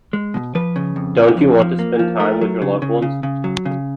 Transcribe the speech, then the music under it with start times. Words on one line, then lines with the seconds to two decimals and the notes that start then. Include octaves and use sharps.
Don't you want to spend time with your loved ones?
0.13 G#3
0.34 B2
0.55 F3 B4
0.76 C#3
0.96 F2
1.17 F3
1.37 F2
1.59 F3
1.79 A#3
1.99 F3
2.20 A3 A#4
2.41 F#3
2.62 C#3
2.82 C#3
3.02 C#3
3.23 C#3
3.44 F#3
3.65 C#3